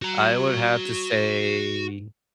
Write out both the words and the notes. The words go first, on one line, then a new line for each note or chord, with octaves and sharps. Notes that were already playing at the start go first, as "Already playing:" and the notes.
I would have to say,
F#4 A#5